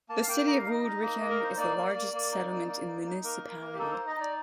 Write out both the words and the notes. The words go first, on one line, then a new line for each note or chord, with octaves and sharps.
The city of Woudrichem is the largest settlement in the municipality.
A#3 A5
F5
A#3 G5
D#4 D#5
F5
D#4 D#5
D#4
A#3
A#3
A#4
D#4 C5
A#3 D5
A#3
A#3
A#3
D#4
A#3
A#3
D#4
D#4
A#3 A#4
A#3
A#3
G4
D#4 A4
C5
D#4
D#5
D#4 D5